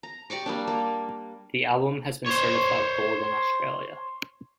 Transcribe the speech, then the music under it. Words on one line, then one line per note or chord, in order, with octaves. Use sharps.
The album has been certified gold in Australia.
A#5
G4 D5 C#6 D6
G3 A#3 D4
A#3
C5 C#5